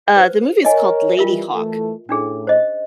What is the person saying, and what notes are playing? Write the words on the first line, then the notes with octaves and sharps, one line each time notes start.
uh, the movie's called Ladyhawke.
B4 C5
A#4 C#5 D#5 G#5
E3 G3 F4 A#4 E5
E3 A3 A4
A2 C#4 D4 G#4
C5 D#5